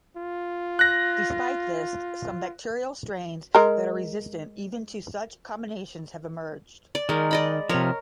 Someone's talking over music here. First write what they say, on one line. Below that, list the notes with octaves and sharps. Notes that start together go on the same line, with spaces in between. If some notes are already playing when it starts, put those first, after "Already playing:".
Despite this, some bacterial strains that are resistant even to such combinations have emerged.
F4
F#6 A#6
G#3 A#4
D5
D#3 G#3 A#4
D5 D#5 B5
C3 F3 A#4 C#5